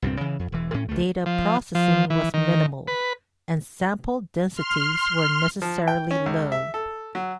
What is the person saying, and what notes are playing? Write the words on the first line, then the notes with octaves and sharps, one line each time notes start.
Data processing was minimal and sample densities were necessarily low.
C2 G2 A#2 C4
C#3 E3
F2
E1 E3
A2 C#4
C#2 A3
F3
F3
E3
D#3
B4
C6 F6
F3
G5
C#4
C#2
E5
A4
F#3